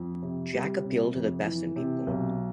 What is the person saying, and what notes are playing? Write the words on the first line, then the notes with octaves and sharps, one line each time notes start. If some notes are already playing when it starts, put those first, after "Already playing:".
Jack appealed to the best in people.
Already playing: F2
C3
G3
C3
F2
E3
C3
B1